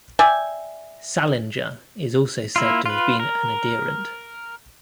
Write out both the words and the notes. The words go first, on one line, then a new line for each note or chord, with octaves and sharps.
Salinger is also said to have been an adherent.
D5 E5 G5 G#5
A#3 E4 F4
F4 B4
A#4